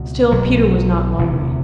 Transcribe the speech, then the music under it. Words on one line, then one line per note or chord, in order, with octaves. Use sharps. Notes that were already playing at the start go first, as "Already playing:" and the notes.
Still Peter was not lonely.
Already playing: C#2 B2
B1 B2 F#3
E1 D2 C3